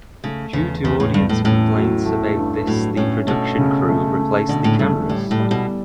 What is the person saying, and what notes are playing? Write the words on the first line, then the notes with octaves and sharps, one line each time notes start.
Due to audience complaints about this the production crew replaced the cameras.
C#3 A3
E2 C#3
E2 C#3
A2
E2 G2
A2
A2 C#4
F#3
A3
G2
A2 F#3
A2 C#4
B2 A3
C#3
A3
A3
B2 D3
A2
G2 A3
A2 G3
A2
G3
B2